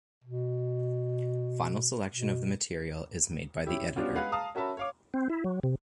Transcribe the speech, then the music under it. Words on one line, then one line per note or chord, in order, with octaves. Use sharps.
Final selection of the material is made by the editor.
B2
B2
C#4 E4 G4
G3 B3 C#4 D4 F4 F#4
G#3 G#4 B4 F5 F#5
F5 A5 A#5 D#6
C#4 F#4 A#4 E5 A5 B5
C#5 F5 D6
C4
E4
F#3
C3